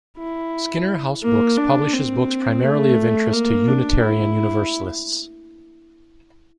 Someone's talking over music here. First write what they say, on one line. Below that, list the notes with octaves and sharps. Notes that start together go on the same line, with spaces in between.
Skinner House Books publishes books primarily of interest to Unitarian Universalists.
E4
A#3
D4
C4
A3
A#3
D4
E4